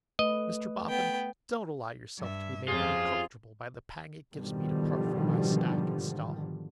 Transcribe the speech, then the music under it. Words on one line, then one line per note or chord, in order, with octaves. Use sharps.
Mr Boffin, don't allow yourself to be made uncomfortable by the pang it gives me to part from my stock and stall.
A3 B4 D#5
B3 G5
G2 E5
F2 C3 C#4 F4 G#4 C5
G#2 B2 D3 D#3 F3 G3